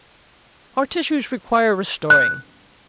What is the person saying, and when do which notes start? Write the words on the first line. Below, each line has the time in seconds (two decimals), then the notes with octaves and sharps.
Our tissues require restoring.
2.10 F#6